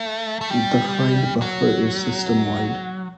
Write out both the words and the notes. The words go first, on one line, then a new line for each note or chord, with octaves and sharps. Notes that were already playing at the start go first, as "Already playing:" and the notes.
The find buffer is system wide.
Already playing: A3
A3
G3
F#3